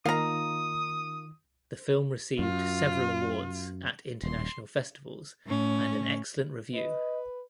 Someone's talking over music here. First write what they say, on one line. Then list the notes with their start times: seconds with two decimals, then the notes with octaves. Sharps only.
The film received several awards at international festivals and an excellent review.
0.05 D#3 A#3 D#4 F4 F5 A#5 D#6
2.39 F#2 F4
4.23 D#1 C6
5.46 A2 C#4
6.74 B4 D#5